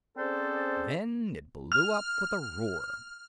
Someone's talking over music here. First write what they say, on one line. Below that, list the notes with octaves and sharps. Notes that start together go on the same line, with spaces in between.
Then it blew up with a roar.
C4 C#4 G#4 A4 C5 D5
F6